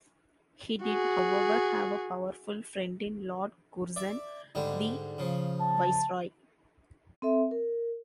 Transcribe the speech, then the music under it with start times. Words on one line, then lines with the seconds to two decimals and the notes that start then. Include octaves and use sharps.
He did, however, have a powerful friend in Lord Curzon the Viceroy.
0.84 F#4 G#4
3.96 D5 E5
4.55 G#2 D3 G3
5.18 C#3 F3
5.61 A5
7.22 C4 A4 E5
7.51 A#4